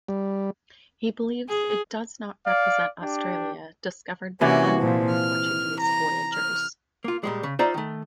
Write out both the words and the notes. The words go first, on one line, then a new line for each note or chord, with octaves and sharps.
He believes it does not represent Australia discovered by unknown Portuguese voyagers.
G3
G#4
D5 F5
D4 G4
C3 E3 A#3 C#4 F#4 D5
A#2 F3
F6
A#5
F6
A#3 F4
A#2 G3 G#3
C#3
D#4 F4 C5 D5 E5
D#3 A3